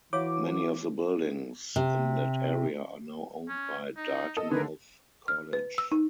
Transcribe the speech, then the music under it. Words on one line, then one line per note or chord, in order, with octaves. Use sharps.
Many of the buildings in that area are now owned by Dartmouth College.
E3 E4 F#4 C#5 F5 D6
C3
C#4
D#4
A4 D#5 D#6
D3 D#3 A3 G#4 A#4 B4
F6
B4
E6
D#4